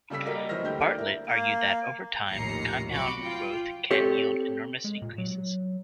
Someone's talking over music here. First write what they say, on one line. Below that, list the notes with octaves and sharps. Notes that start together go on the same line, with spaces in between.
Bartlett argued that, over time, compound growth can yield enormous increases.
C#3 G3 A4 E6 B6
G3 A#3 F#4 A#4 D5 D#5
E3 F#3 C5 D#5 F6 A#6
D2 D3 G4 G6
A#3 D5
E4 A#4
A#3
A#1 D#2 A2 A#5 C7 C#7
C2 F#3 F#4 B5 D6 C#7
F4 G5
C4 G4 A4 C#5
G#3
A#2
F#3